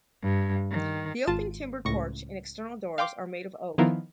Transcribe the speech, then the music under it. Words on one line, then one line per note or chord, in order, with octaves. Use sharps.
The open timbered porch and external doors are made of oak.
G2
D#3
G#1 F4 A5
C#2 A2 C#6 A#6
F5 G5 C6 D6
D#3 F3 B3 E4 F4 A#4